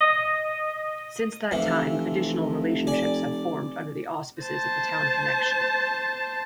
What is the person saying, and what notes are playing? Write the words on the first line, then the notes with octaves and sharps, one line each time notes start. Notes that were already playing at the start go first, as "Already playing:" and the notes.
Since that time, additional relationships have formed under the auspices of the town connection.
D#5
F1 C3 E3 F3
D5 G#5
C5 A5